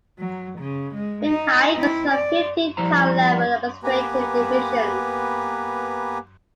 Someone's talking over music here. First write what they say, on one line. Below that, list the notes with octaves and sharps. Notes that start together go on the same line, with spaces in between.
Binhai consists of fifteen town-level administrative divisions.
F#3
C#3
G#3
D#4
C4 E4
D5
F3 G3 E4 C5 A#5
A#3 B3 G4 B4 G#5 A#5